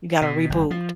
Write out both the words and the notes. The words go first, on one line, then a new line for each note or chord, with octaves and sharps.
You gotta reboot.
B2
G1
F3